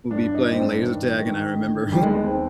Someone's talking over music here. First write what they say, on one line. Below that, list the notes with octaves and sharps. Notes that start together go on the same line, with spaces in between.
we'll be playing laser tag, and I remember
G2 D4
D#4
G2
C4
D4
D#3
D#3
D3
D#2 G3
G#3
B3
D#2 C4